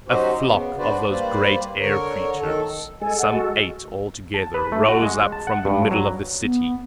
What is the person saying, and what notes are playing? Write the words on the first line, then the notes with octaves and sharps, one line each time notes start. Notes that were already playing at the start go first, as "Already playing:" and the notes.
A flock of those great air-creatures, some eight altogether, rose up from the middle of the city.
F#3 C#4 D#4 F#4 G4 C5
C#3 B3
D4 F#4 B4 C5 D5
G3 A#3 B4 C5 D5
D3 A#4 C#5
D#3 A4
G#3 A4 G#5
F#5
F#4
A5
B4
A3
F#4
G#3
A5
F#5
G2
F#3
B3